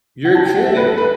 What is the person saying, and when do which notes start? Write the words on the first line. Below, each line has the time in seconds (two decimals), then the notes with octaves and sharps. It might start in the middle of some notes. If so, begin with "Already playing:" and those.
You're kidding!
0.25 F#5
0.35 A5
0.45 G5
0.56 F#5
0.66 E5
0.77 B4
0.86 A4
0.98 B4